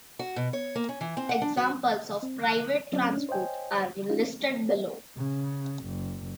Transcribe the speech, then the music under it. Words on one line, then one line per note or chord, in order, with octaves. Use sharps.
Examples of private transport are listed below.
F#4
B2
C#5
A#3
C#4
E3
C4
F#5
D4
F#4
C4
F#6
F#3 C4 C#4
C#4 D4
C5 C#5 D#5 G5 G#5
C#4 D#4 F4 G4
C#3
F#1